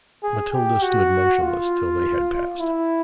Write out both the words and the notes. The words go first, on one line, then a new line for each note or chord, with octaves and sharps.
Matilda stood motionless till they had passed.
G#4
G4
F#4
F4
E4